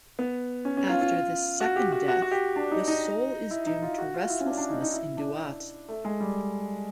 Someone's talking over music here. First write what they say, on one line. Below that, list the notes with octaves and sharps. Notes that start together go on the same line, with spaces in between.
After this "second death", the soul is doomed to restlessness in Duat.
B3
C#4
C#4
F4
F4
F#4
G4
F#4
F#4
F#4
G4
D4
D#4
D#4
E4
D#4
F4
F#4
F4
E4
C#4
D4
D4
D#4
D#4
E4
D4
A3
G#3
G3